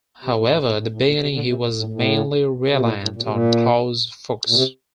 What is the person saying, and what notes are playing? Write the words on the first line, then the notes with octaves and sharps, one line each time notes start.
However, at the beginning he was mainly reliant on Klaus Fuchs.
C3
A#2
A2
A#2
A2
A2
A#2
C3
D3
C3
A#2
A2
A2
C3
A#2
A2
A2
A#2
C3
A#2
A#2
C3